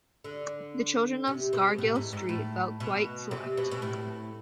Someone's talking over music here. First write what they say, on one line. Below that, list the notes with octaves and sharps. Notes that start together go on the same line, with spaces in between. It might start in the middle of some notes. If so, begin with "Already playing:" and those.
The children of Scargill Street felt quite select.
D3
C3
B2
A2
G#2
G#2
A2
B2
C3
B2
B2
A2